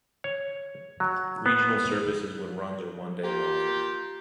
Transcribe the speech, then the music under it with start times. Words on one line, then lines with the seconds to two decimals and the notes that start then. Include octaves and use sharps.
Regional service is when runs are one day long.
0.24 C#5
1.00 F#3
1.46 B3
3.23 A#3 F4 G4